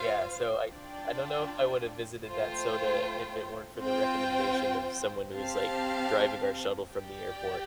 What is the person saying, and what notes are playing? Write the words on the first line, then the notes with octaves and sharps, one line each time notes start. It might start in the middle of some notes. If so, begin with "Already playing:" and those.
Yeah, so I I don't know if I would have visited that soda if it weren't for the recommendation of someone who is, like, driving our shuttle from the airport.
Already playing: F4 C5 F5
D4 F4 D5 G5
A3 F4 C5 G5
C4 F4 C5 G5
C4 G4 F5 A5
G4 D5 G5